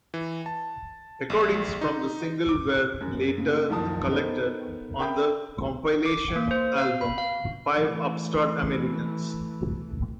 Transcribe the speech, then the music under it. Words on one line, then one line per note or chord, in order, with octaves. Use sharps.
Recordings from the single were later collected on the compilation album "Five Upstart Americans".
E3
A5
A#1
D#4
D6
F#2
A#2 C#3
F#1 C2 D#3 F3 A5 D#6
B3 D#4 A4 A#4 C5
A#4 E5 G5 B5 G6
D6
A#3
C5
F5
B5
F5
E3 A3